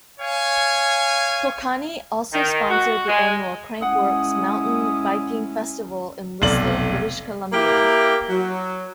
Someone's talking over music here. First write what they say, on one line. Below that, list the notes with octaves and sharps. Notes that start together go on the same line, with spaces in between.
Kokanee also sponsored the annual Crankworx mountain biking festival in Whistler, British Columbia.
C#5 F5 G#5
D#3
F#4
G#3
G#3 C#4 E4 F#5 D#6
F1 B1 D5 F#7
A#3 E4 G4 A#4
F#3